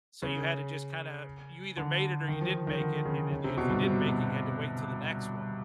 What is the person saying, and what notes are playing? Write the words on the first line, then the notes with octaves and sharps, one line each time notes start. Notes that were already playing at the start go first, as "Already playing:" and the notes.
So, you had to just kinda you either made it or you didn't make it, and then you if you didn't make it, you had to wait till the next one.
C#3
D3
D#3
F3
D#3
D3
C#3
C#3
C3
B2
G2
C3
B2